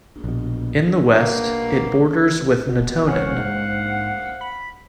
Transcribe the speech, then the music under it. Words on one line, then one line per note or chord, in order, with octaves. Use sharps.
In the west, it borders with Natonin.
A#1 B2
B2 A#3
B2
C#4 C5 F5 F#5
G#2
B5